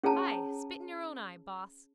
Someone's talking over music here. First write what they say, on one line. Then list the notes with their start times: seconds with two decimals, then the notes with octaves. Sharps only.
Hi! Spit in your own eye, boss!
0.04 C#4 G#4 C#5 A5 A#5